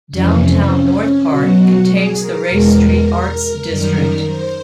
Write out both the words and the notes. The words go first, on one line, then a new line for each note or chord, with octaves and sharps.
Downtown North Park contains the Ray Street Arts District.
F2 C3 E3 C#4
C4
C#4
B2 F#3 F#4
G#4
A#4
E2 B2 G#3
A#4
F#2 D#3 G3 A#4
C5